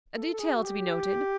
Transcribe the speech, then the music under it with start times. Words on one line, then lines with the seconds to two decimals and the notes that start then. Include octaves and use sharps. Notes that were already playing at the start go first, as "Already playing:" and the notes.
A detail to be noted.
0.16 A4
0.33 A4
0.40 G#4
0.55 F#4
0.65 G4